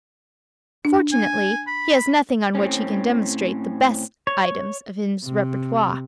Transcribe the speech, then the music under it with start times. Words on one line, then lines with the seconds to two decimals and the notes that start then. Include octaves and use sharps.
Unfortunately he has nothing on which he can demonstrate the best items of his repertoire.
0.85 D4
1.13 G#5
1.67 B5
2.55 A2 C4 C#4
4.27 C#5
5.26 C3